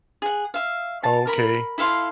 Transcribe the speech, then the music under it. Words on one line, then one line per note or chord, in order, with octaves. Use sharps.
Oh, okay.
G#4 F#5
E5 F5
A5
A#4 B5
E4 A4 F5 C6